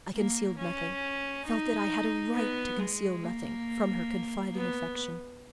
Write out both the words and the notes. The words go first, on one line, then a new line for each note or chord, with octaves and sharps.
I concealed nothing--felt that I had a right to conceal nothing--from her confiding affection.
A#3
C#4
D#4
B3
G#3
A#3
B3